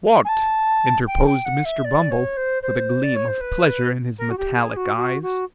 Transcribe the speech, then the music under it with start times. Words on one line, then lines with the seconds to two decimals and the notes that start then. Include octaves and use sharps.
What?' interposed Mr. Bumble: with a gleam of pleasure in his metallic eyes.
0.24 G#5
0.28 A5
1.06 G5
1.26 G5
1.45 F#5
1.65 E5
1.84 D5
2.10 C#5
2.36 C5
2.62 C5
3.03 D5
3.15 C#5
3.27 C5
3.40 B4
4.18 A#4
4.30 F#4
4.37 G4
4.57 G#4
4.76 F#4
4.96 F#4
5.22 F#4